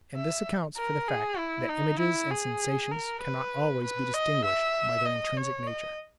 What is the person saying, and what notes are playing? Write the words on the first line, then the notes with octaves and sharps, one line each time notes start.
And this accounts for the fact that images and sensations cannot always be distinguished by their intrinsic nature.
E5
A#4
G#4
E4
D#4
E4
G#4
A#4
B4
B4
D#5
E5
D#5
C#5
D#5